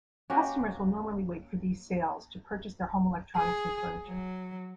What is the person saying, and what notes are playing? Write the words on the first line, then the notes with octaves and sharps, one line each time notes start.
Customers will normally wait for these sales to purchase their home electronics and furniture.
A#3 C#4 F#4 G4
G#4
F#3